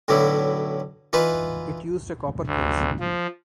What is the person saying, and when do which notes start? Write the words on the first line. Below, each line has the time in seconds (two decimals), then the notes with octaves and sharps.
It used a copper case.
0.08 B1 A2 D3 F#3 E4
1.13 E3 D#4 F4 B4
2.47 D2
3.00 F3